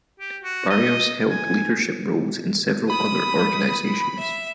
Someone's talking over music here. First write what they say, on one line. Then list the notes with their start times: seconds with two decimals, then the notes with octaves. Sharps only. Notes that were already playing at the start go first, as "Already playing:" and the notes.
Barrios held leadership roles in several other organizations.
0.20 G4
0.43 F#4
0.70 D#5
1.30 G#5
2.90 B5 D#6
4.18 E5